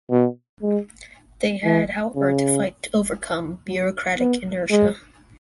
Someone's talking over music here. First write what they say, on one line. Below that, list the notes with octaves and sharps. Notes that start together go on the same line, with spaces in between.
They had, however, to fight to overcome bureaucratic inertia.
B2
G#3
E3
C#3
F#3
B3
G#3